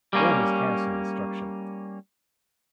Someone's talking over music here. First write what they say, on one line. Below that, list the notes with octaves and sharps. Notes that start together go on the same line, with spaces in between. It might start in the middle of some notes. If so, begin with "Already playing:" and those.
All was chaos and destruction.
G3 A#3 C#4